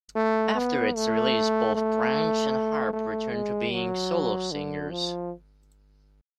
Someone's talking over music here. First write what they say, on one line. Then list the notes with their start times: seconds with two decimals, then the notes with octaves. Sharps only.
After its release, both Branch and Harp returned to being solo singers.
0.16 A3
0.55 B3
0.96 A3
1.75 A3
2.93 A3
3.33 G#3
3.73 F#3
4.52 D3
4.91 F3